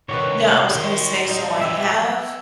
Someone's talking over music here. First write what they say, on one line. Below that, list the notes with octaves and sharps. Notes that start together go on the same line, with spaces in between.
No, I was gonna say, so I have
C2 D3 D#3 B4 C#5
G#4
D#3 F#3 C6
G3 D#4
G4 D#5 E5 G#5